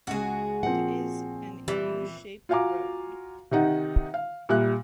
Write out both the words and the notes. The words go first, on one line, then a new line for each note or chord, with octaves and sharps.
It is an U-shaped road.
C#2 G#3 F#4 G#4
A#2 F3 C4 F#5
E3 G3
F4 F#4 F5 G#5 A#5 D6
C3 D#3 D#4 F#5
F5
A#2 G3 E5 F#6